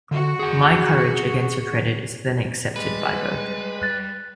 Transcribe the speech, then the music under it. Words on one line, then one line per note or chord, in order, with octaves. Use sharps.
"My courage against your credit" is then accepted by both.
D3 F#4
G#4 F#5
G3 G#3 B4
F#6 A6